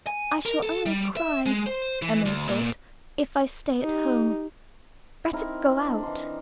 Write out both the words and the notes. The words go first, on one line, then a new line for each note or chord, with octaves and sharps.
"I shall only cry," Emily thought, "if I stay at home; better go out."
G#5
A#4
A4
G3
E5
G#3
C5
E3
D2
A#2
D#4 G4
C4 D#4 E4 A#4
D4
E3 D#4 C6